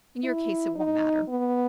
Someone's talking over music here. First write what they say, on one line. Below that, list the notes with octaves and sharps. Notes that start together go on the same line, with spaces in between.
In your case, it won't matter.
E4
D#4
B3